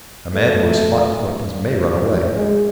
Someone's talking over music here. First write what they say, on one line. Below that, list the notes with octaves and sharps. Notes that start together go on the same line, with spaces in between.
A man who has fought with weapons may run away.
A3
G#3